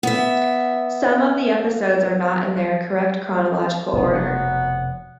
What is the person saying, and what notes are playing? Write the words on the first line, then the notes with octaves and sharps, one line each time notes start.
Some of the episodes are not in their correct chronological order.
B3 E5
F1 B2 B3
F#3 B3 F#5